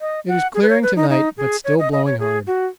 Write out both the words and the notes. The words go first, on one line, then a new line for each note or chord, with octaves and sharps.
It is clearing to-night, but still blowing hard.
D#5
F#5
G#4
B4
C#5
B4
D#4
D#4
G#4
C#5
D#5
D#5
C#5
G#4
F#4